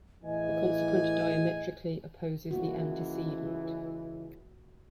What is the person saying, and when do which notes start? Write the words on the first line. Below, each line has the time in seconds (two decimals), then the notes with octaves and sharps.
The consequent diametrically opposes the antecedent.
0.23 A2 E3 G#4 D#5 G#5
2.51 C#2 E3 A#3 F4 F#4